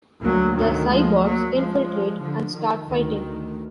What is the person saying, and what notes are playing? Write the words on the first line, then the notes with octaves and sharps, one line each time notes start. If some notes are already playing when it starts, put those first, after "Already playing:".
The cyborgs infiltrate and start fighting.
D2 F#3 A#3
D#3 F#3
F3 G#3
F#3 A#3
F3 G#3
D3 F3
D#3
D2 D#3